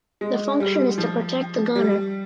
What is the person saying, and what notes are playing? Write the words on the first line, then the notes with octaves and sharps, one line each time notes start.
The function is to protect the gunner.
G#3
G3
F3
G3